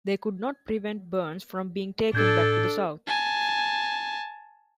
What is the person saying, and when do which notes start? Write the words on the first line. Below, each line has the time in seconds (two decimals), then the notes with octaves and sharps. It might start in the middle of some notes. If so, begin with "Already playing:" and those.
They could not prevent Burns from being taken back to the South.
2.13 A2 D4 A4 G6 G#6
3.07 G#5 A5